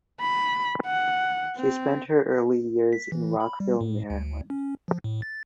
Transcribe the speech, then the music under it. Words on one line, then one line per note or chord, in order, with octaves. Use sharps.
She spent her early years in Rockville, Maryland.
B5
F#5
C4
B6
E3
B5
G3
A2
D2
C#4
F3
A2
A6